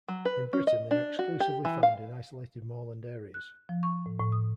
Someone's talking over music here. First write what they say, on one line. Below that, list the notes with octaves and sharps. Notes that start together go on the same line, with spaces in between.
In Britain they are exclusively found in isolated moorland areas.
F#3
B4
C#4
D#5
D4
F#4
G4
E3
F5
F#6
F3
C#6
A2
A2
D#6